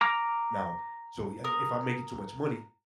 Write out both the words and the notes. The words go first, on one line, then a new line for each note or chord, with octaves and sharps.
now, so you I I if I'm making too much money,
A#5 D6 F6
A#4 D#6